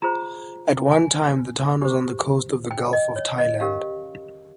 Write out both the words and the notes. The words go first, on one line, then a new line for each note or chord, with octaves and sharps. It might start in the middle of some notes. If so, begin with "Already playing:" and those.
At one time the town was on the coast of the Gulf of Thailand.
F4 G#4 C5 A#5
G#5
G4 C5
G5
D#5
C#5
D#5
C#4 G4 A#4 F5